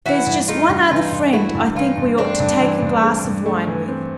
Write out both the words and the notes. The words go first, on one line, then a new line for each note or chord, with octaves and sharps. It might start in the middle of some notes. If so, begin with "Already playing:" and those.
There's just one other friend I think we ought to take a glass of wine with.
E3 E4 F#4
G2
A3 D#4 F4
G2
E3 D#4 F4
G2
A3 E4 F#4
G2
E3 D#4 F4
G2
A3 C4 D4
G2
E3
G2
A3
G2
A3
E3
C4